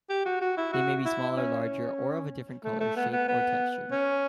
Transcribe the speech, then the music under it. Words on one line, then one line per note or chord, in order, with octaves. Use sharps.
They may be smaller, larger, or of a different color, shape, or texture.
G4
F#4
F#4
E4
F#4
E4
C#4
A3
A3
B3
B3
B3
C#4